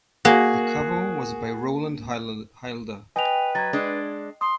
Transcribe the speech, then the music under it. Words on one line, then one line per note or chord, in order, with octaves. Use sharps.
The cover was by Rowland Hilder.
A#3 F#4 G#4
B4 D#5 G5 G#5 F7
F#3 G#6 A6
G#3 D4
C6 D#6